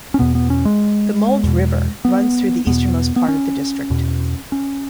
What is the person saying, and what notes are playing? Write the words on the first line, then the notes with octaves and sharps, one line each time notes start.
The Mulde River runs through the easternmost part of the district.
C#4
E2 B2 B3
B3
C#4
G#3
E2 B2
B3
E2 B2 B3
B3
C#4
E2 B2
C#4